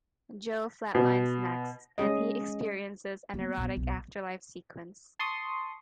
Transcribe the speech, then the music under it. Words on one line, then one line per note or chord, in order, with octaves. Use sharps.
Joe flatlines next, and he experiences an erotic afterlife sequence.
B2
G#3 C#4 G#4 D#5
A#3 B3
A#1 B3
B1
A5 C6 C#6 D#6